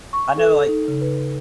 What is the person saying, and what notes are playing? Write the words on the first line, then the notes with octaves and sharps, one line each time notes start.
I know, like
C#6
A4
A4
D#4
C#3
B4